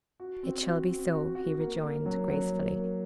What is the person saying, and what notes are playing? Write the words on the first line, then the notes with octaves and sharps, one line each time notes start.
"It shall be so," he rejoined, gracefully.
F#4
C4
F#4
C4
F#4
F#4
A#3
A#3
F#3
F#3
A#3
A#3